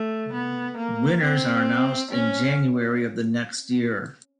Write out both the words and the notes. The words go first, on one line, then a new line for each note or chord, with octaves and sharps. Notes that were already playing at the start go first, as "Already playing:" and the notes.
Winners are announced in January of the next year.
Already playing: A3
B3
A#3
C4
C#4